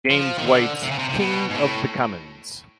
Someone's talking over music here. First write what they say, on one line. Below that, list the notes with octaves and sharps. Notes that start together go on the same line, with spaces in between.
James White's "King of the Commons".
F3
D#3
D3
C3
C#3
C3
C3
B2
G#2
A2